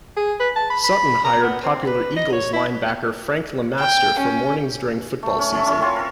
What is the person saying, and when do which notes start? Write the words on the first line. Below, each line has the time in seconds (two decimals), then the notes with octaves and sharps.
Sutton hired popular Eagles linebacker Frank LeMaster for mornings during football season.
0.17 G#4
0.40 B4
0.56 A5
0.70 B5
0.84 B5
1.25 A#5
1.43 B3
1.63 C4
1.87 B4
2.16 D#5
2.32 C#5
2.53 E4
3.80 G5
4.20 C#4
5.23 A3
5.39 C#4
5.53 C#4 A4 C#5 E5
5.66 C#4 E4 A4 A#4
5.81 C4 F4 C5 C#5
5.96 A4 A#4